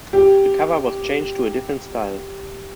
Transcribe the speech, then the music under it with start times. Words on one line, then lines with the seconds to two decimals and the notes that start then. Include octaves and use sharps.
The cover was changed to a different style.
0.13 G4